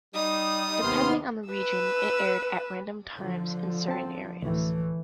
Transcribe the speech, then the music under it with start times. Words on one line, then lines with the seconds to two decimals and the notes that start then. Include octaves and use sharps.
Depending on the region, it aired at random times in certain areas.
0.14 G3 D#4 D#6
0.81 D#2 C3 B3 C6 F6
1.50 B4 E6
3.17 D3 F3
3.88 C4 A5
4.42 D2 A2 E3 A3